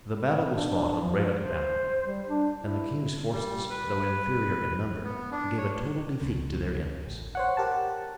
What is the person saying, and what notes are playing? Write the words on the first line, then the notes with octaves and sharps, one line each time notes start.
The battle was fought on Bradoc Down; and the king's forces, though inferior in number, gave a total defeat to their enemies.
D4
D4
F3
C5
G3
D4
E4
G3
B4
B3
D4
C#5
C#2
A1
C5 C#5 F#5
G4 A#4 F#5 A5